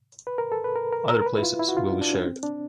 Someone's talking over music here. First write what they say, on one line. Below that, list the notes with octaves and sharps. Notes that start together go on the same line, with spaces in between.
Other places will be shared.
B4
A#4
A4
B4
A#4
A#4
A#4
A#4
B4
E4
F4
E4
F#4
F4
D4
D4
C#4
C4
D4